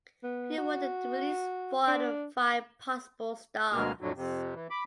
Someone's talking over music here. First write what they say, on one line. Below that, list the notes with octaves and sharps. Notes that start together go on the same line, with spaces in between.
He awarded the release four out of five possible stars.
B3
F#4
D4
D2 B2 G#3 A#3 F6
F2 A2 D3 F#3
F2 C3
E3
B5 D6